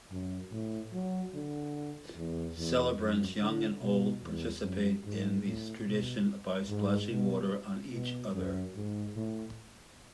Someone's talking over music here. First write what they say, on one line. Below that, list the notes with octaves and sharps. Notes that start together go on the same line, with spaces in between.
Celebrants, young and old, participate in this tradition by splashing water on each other.
F#2
A2
F#3
D3
E2
E2
F#2
D3
B2
E2
F#2
G#2
A2
B2
G#2
B2
B2
F#2
G#2
A2